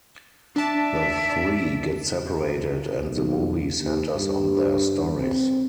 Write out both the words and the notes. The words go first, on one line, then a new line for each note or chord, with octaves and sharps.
The three get separated and the movie centers on their stories.
D4 D5 E5 A5
B1
D#2
G2
C4